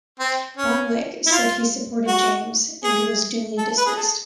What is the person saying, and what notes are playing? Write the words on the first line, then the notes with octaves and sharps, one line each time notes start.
Bonwicke said he supported James and was duly dismissed.
C4
C#4
E4
F4
F#4
G#4
A4
B4
G#4
A4